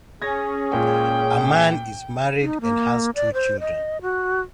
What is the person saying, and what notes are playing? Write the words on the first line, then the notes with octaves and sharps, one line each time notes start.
Ammann is married and has two children.
C#4 G#4 G#6 A#6
A#2 G#3 G5
D#4
A#3
D5
C5
D#5
F#4